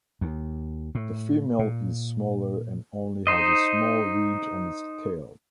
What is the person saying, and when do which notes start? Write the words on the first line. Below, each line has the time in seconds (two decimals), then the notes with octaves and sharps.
The female is smaller and only has a small ridge on its tail.
0.21 D#2
0.95 A2
1.59 A#2
3.27 D#4 C5 D#5